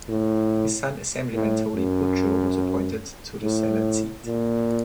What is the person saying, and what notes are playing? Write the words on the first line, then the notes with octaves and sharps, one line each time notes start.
His son Assemblyman Tony Bucco was appointed to the Senate seat.
A2
A2
F#2
A2
A#2